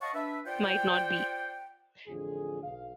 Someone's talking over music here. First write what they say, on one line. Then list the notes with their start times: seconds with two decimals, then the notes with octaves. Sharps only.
It might not be.
0.01 C#5 D#5 F5 F#5 A5 C#6
0.14 D4 B4 E5
0.46 F4 C5 D5 F#5 G5
2.07 A1 F2 D3 F4 G#4
2.63 B1 F5